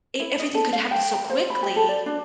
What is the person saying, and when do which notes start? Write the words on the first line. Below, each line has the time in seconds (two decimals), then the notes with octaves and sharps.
E everything could happen so quickly
0.20 E4
0.39 D#5
0.54 A4
0.73 F5
0.91 G5
1.13 A#5
1.30 C5
1.50 B5
1.63 G4
1.76 A4
1.89 D5
2.06 D4